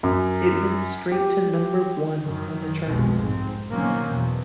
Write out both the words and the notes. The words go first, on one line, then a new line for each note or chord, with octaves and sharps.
It went straight to number one on the charts.
F#2
G4
F#2 D#3
F1 B1 B2 F3 G#3 C4
G#2 C4
B2 D#3 F#3 A#3 C4 C#4
E2 B2